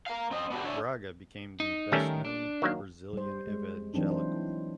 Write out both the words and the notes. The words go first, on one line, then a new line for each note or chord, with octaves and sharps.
Braga became the best known Brazilian evangelical.
A#4 F5
C4 D#5
B3 D4 F#4 G4
D4 E4 C#5 D5 E5
D#4
D#3 G3 A3 C#4 A#4
D4
D#3 F#3 A#3
G3 C5
G#3
E3 F#3 C4 D4 D#4
E4 C5